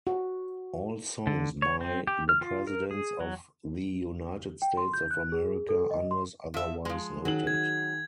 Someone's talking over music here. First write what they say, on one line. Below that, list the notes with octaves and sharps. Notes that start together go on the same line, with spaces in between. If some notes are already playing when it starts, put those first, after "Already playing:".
All songs by The Presidents of the United States of America unless otherwise noted.
F#4
D3
C#5
C4
G4
F6
F4
A#4
G#4
F#3
G5
C6
G6
F#6
G#4
A4
D#5
C6
F3 E5
F3 G#3
D#3 F#3 G#4 F#7
G#6